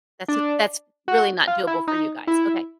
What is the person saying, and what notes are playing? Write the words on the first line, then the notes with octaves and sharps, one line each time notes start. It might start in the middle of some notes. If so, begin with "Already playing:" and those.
That's n that's really not doable for you guys, okay.
D4
F#4
F4
E4
D#4
E4